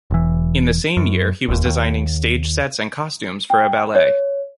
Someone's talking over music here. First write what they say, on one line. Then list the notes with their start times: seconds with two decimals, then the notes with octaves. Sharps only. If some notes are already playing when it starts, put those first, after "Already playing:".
In the same year he was designing stage sets and costumes for a ballet.
0.11 E1 E3
0.97 F#2
1.48 E1 D#2
1.65 D#2
3.50 G5
3.95 C#5